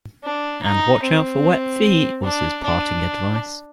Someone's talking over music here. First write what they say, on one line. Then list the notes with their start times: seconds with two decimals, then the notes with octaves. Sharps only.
And watch out for wet feet, was his parting advice.
0.24 D4
0.63 D#4
1.03 C4
2.23 D4
2.64 D4